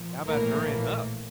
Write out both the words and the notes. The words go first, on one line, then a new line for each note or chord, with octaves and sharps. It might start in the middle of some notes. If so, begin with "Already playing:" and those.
"How 'bout hurryin' up?"
Already playing: A#2 F3
A#1 A2 E3 A#3 A#4